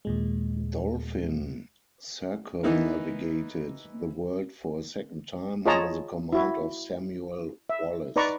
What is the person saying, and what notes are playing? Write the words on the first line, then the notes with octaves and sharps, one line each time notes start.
"Dolphin" circumnavigated the world for a second time, under the command of Samuel Wallis.
D#2 A#2 G#3
E3 B3 D#4 E4 A#4
F4 G#4 C#5 D#5 A5 A#5
E4 F#4
E5
D#4 B4 D5 A#5 C#6